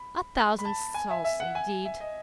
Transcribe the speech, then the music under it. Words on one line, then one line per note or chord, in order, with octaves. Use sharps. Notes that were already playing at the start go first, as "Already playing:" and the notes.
A thousand souls, indeed!
Already playing: B5
B5
A5
G#5
E5
E5
F#5
G#5
E5
D#5